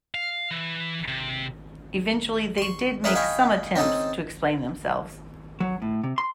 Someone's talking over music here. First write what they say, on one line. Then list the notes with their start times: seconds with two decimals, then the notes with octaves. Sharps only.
Eventually they did make some attempts to explain themselves.
0.14 F5
0.51 E3
1.08 C3
2.58 C6 C#6
3.04 C#4 E4 G#4 A#4 B4
3.15 D#5 F5 G5 G#5 B5 C#6
3.76 C4 C#4 D#4 A4
5.60 F#3
5.82 A2
6.04 C3
6.18 C6